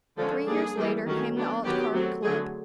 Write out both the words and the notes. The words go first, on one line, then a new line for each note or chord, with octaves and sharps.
Three years later came the Altcar Club.
D3 F3 G#3 C#4 A4
G3 A#3 D4 G#4
E3 G3 A#3
D#3 F#3 A3 C#4
F#3 B3 D4
D#3 F#3 B3 G4
F#3 A3 C4
D3 F#3 A3 G#4